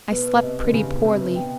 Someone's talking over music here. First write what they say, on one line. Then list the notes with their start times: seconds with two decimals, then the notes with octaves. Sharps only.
I slept pretty poorly.
0.11 B2 B4
0.27 B4
0.34 B2
0.42 C3 D#5
0.58 D#5
0.64 D3
0.73 C#3 G4
0.89 B4
0.97 B2
1.04 C3 G4
1.21 B4
1.36 B2 G5